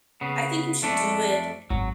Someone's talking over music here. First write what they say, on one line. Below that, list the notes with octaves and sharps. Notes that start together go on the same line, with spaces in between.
I think you should do it,
C#3 B3
F2 A3 D4
G#1 F#3